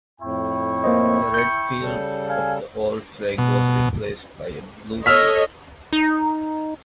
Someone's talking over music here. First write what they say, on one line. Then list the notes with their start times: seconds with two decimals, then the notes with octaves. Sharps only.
The red field of the old flag was replaced by a blue field.
0.21 F2 A2 E4 G5 C#6
0.84 A#3 C5 D#5
1.34 G6 C#7
1.81 C#3 G3 A4
2.28 F5 G#5
3.38 B2
5.06 A4 C#5 D#5 E6 F6 B6
5.93 D#4